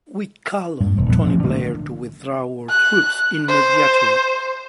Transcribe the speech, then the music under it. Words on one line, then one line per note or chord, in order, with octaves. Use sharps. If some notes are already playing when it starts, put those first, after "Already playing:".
We call on Tony Blair to withdraw our troops immediately.
G2
E1
A#1 B3
A1 F3
D3 D#3 A3 A#3
F#6
C5